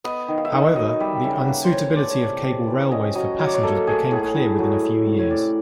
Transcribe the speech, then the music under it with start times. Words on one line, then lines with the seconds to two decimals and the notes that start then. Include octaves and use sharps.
However, the unsuitability of cable railways for passengers became clear within a few years.
0.04 B3 D#5
0.28 D#3
0.38 F5
0.45 E5
0.52 D#3 D#5
0.76 F#3 D#5
1.00 G3 E5
1.24 C#3 E5
1.40 F#5
1.48 A#3 F5
1.64 C5
1.72 E3 C#5
1.96 A3 D5
2.09 C#5
2.20 C3 D5
2.44 C3
2.68 E3
2.91 C#4 D#5
3.15 F#3 D#5
3.39 F#3 C#5
3.47 D5
3.54 C#5
3.63 A#3 A4
3.87 A3 G#4
4.11 A2 G#4
4.35 A2
4.59 F#3
4.82 A3
5.07 C3
5.19 C#5
5.30 C#4 D5